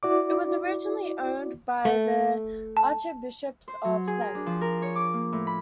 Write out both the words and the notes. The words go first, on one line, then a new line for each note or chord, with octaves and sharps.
It was originally owned by the archbishops of Sens.
E4 F#4 D5 D6
A3
A5
C5
F#3
G#4
A#4
D4
F3
A#4
C#5
D6
A#3
A2
B5